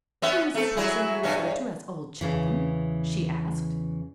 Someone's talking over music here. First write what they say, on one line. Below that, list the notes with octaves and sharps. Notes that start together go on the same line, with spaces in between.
"Who is the person he referred to as old Chobham?" she asked.
B3 C#4 E5
A3 A4
F#3 E4 G#4
G2 B2 C#4
G2
E2 C#3 E3